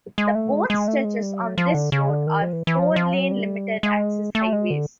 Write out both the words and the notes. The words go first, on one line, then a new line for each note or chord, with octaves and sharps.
The both stretches on this route are four-lane limited-access highways.
G#3
A3
G#3
G#3
A3
G#3
G3
F#3
F3
D3
C#3
D3
D#3
F3
E3
E3
F3
F#3
F3
F#3
G3
G#3
A3
G#3
D3